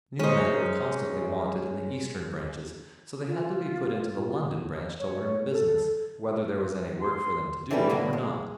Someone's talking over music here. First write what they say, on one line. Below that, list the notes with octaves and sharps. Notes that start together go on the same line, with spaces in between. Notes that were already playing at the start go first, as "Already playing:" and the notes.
New men were constantly wanted in the Eastern branches, so they had to be put into the London branch to learn the business, whether there was any work for them to do or not.
G#3 C#4 D#4 C5
F4
C#5
A4
C6
E3 G3 A4 B4
D3 F#3 A#3 B3
G#3